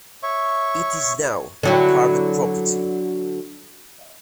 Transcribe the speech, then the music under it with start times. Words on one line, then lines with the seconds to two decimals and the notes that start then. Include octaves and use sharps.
It is now a private property.
0.23 C#5 E5 C#6
1.63 D3 F#3 E4